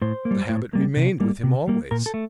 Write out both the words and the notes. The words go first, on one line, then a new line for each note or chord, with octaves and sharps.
The habit remained with him always.
A2 C5
A#3
G3
A2
G3 A#3
C3
G3 A#3
C3
G3 A#3
A#2 A#4
A4
A3